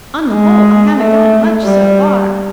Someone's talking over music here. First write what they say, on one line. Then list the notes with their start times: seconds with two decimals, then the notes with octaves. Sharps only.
"On the whole, I haven't got much so far."
0.32 G#3
0.98 A3
1.64 G3